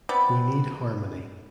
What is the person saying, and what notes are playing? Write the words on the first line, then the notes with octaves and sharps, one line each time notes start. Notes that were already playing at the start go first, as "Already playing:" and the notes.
We need harmony.
B3 C4 B4 D5